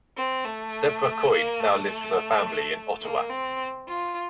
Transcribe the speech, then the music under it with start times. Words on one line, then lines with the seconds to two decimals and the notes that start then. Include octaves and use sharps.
Deborah Coyne now lives with her family in Ottawa.
0.17 C4
0.45 A3
1.31 A#3
1.60 A3
3.02 A#3
3.30 C4
3.88 F4